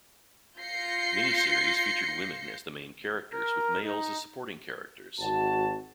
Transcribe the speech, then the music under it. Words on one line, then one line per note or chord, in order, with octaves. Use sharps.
Many series featured women as the main characters with males as supporting characters.
F4 G6 A#6 C7 C#7
A#4
D#4
G#1 F#4 A5